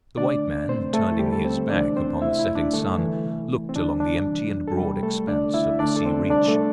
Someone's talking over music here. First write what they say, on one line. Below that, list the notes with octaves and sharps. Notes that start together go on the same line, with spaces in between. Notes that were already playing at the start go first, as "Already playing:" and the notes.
The white man, turning his back upon the setting sun, looked along the empty and broad expanse of the sea-reach.
D3 A3 D4 D5
C3 A3 C4 C5
A3 A4
E4
D3 G3 A3 G4
A4
C4 C5
C3 E3 A3 D4 D5
C4 C5
C3 A3 E4 E5
E4 E5
D4 D5
D3 G3 A3 A4
E3 E4
C3 A3
C4
D3 G3 D4
D4
C3 E3 G3
A4
C3 G3 G4
A3 A4
D3 A3 D4 D5
E4 E5
D3 A3 D4 D5
A4
C4 C5
C3 G3 D4 D5
A3 A4